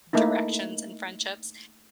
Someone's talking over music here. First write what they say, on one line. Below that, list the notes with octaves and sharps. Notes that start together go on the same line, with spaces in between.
directions and friendships,
A3 A#3 D#4 E4